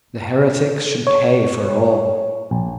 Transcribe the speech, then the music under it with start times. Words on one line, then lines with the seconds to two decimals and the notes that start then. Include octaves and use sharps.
The heretics should pay for all.
1.07 C#5
2.51 A#1